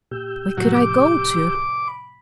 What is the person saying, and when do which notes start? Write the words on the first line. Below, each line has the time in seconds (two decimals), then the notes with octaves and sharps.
'Where could I go to?
0.11 A#2 G4 E6 G6
0.57 A2 C3 F3 F#3
0.74 D6
1.88 B5